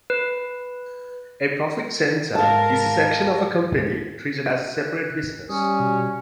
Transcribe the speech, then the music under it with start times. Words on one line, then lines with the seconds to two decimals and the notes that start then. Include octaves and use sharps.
A profit center is a section of a company treated as a separate business.
0.10 B4
2.35 G#2 A#4 F5 A5
4.74 F#6
5.49 G3 C#4 D#6
5.80 B2